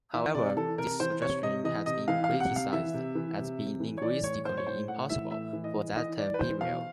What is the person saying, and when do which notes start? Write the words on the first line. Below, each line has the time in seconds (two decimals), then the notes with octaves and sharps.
However, this suggestion has been criticized as being "linguistically impossible" for that time period.
0.13 E3 E5
0.34 C3 D5
0.56 E3 A4
0.78 C3 A#4
1.00 E3 C5
1.21 C3 C#5
1.43 C3 D#5
1.64 E3 D#5
1.86 C3 D#5
2.08 E3 F5
2.24 F5
2.29 C3
2.40 F#5
2.51 C3
2.56 F5
2.73 E3 E5
2.94 C3
3.15 E3
3.38 C3
3.59 C3
3.80 E3
3.97 C#5
4.02 E3 D5
4.24 A2 C#5
4.45 A2 C5
4.57 C#5
4.67 A2 C5
4.88 A2 F#5
5.09 E3 E5
5.31 A2 E5
5.53 E3
5.64 D#5
5.75 E3
5.96 E3 D#5
6.18 E3 D5
6.34 B4
6.39 E3 C5
6.61 B2 F5